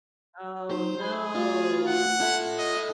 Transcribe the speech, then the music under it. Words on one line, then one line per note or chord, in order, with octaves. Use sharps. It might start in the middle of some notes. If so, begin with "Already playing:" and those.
Oh, no.
F#3 D#4 C5
G#4 B5
A3 F4 F#4
F#5
E4 F4 A4 E5
D#5